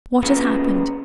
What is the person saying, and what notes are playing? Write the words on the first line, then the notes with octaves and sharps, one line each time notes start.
What has happened?
F#2 A#2 C#3 B3